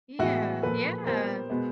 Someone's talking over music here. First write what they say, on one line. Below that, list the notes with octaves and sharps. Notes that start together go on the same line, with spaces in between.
Yeah. Yeah,
A2 E3 G#3 B3 E4 F#4
A#2 F3 A#3 A4 B4
A#2 G3 B3 A#4 C5
B2 G#3 B3